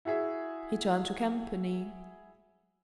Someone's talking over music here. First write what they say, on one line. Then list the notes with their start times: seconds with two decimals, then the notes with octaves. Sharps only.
He turned to Campany.
0.05 E4 F#4 G#4 E5